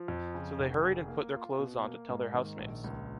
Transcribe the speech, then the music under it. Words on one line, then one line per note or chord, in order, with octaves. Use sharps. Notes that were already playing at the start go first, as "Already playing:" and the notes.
So they hurried and put their clothes on to tell their housemates.
Already playing: F3
F2
C#3
F1
G#4
A#3
F4
B2
A#3
G#2
D#3
A#1
C#2